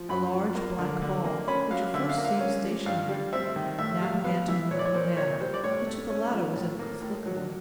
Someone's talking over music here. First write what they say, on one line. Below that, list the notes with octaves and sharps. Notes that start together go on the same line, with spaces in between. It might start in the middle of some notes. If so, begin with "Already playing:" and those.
A large black ball, which at first seemed stationary, now began to move in a manner that to the latter was inexplicable.
Already playing: F3
F#2 B5
F3
A#3
D3
D3
A#3
C#4 B5
F#3 F5
D3 E5
F5
A#3
F5
C#4
F3
G2 F5
G3
C4 E5
D#3
A2 E5
G3 F5
B3 F5
E3 E5
A#2 C#5
D5
C#5
A#3 C5
A#2 C#5
G3 C5
D5
A2 C#5
A3
C#4
F3
A2
A#3
A2
F#3